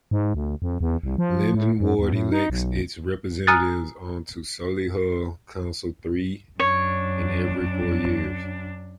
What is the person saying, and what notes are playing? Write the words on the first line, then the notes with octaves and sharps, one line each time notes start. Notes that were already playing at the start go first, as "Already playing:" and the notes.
Lyndon ward elects its representatives on to Solihull Council three in every four years.
G#2
D2
F2
E2
C2
F3
A2
F#2
E2
A2
D#4
B1
G#5 A#5 D#6 F6 F#6 A6
F#2 D4 C#5